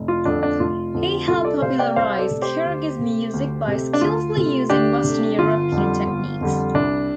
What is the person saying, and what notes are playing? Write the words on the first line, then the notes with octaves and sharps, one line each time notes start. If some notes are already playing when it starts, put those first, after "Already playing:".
He helped popularize Kyrgyz music by skillfully using Western European techniques.
Already playing: F1
F4
F2 D3 F3 A3 D4
D4
F1 F4
F2 D3 F3 A3
C2 F4 A4
A4 D5
C3 A3 C5 F5
D5 G5
C2 C5 F5
A4 D5
C3 A3
G4 C5
D2
C3 A3
D2
C3 A3
D4
D2 F4
C3 A3
D2 D4 G4
C3 A3
G1 F4
F2 D3 G3
G1
F2 D3 G3
C2 D4